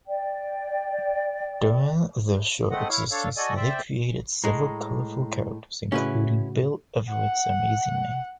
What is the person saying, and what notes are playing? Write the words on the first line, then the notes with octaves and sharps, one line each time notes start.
During their short existence, they created several colorful characters, including Bill Everett's Amazing-Man.
D5 G5
G#3 A3 C4 D#5 F#5
E4 C#5 F5
D4 A4 C#5 F5
F#4 A4 D5 D#5 G#5
C5 D5 E5 G5
A2 G#3 A#5
A2 C#3 C#4 E4 F#4 B4
F#5